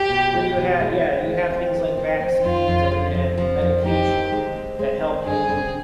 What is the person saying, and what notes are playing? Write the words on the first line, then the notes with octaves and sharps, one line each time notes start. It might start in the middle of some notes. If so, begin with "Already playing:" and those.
Do you ha yeah, you have things like vaccines and and medication that help you
Already playing: G4
B2
G#3
B2
G#3
C4
G#3
C4
F3
C4
C4
F2 F4
F2
D3
F2
F3
F2
D#4 G4
C4
G#3
C4
G#3
C4
G2 G#4
C4